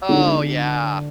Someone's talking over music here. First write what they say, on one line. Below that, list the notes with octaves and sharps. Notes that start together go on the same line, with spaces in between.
Oh, yeah.
D3